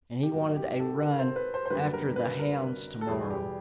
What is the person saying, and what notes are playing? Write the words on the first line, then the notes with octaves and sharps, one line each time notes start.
And he wanted a run after the hounds to-morrow.
G4
G#2 D#3 F#3 A#3 F#4
G4
A4
A#4
C5
B4
C5
C5
F#2 D3 G3 A#3 B4
A#4
B4
A#4
A4
E2 B2 G3 G#4
G4